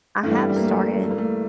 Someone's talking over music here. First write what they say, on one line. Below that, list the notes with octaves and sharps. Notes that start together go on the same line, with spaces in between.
I have started
G2 E3 A3
G3
G3
A#3
A3
A3
A#3
A3